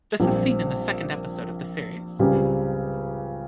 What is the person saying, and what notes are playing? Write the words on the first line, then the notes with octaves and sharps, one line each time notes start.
This is seen in the second episode of the series.
A#1 A#2 G3 C4 G4
C#2 C#3 G3 C4 G4